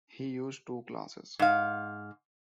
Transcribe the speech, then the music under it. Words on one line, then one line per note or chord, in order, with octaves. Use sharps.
He used two classes.
G#2 F5